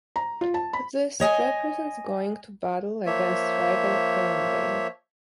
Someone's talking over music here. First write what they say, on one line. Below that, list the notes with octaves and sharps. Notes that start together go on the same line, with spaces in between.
This represents going to battle against rival Glendale.
A#5
F4
A5
B5
C#5 D#5 F#5 G#5
F3 A#3 C#5 E5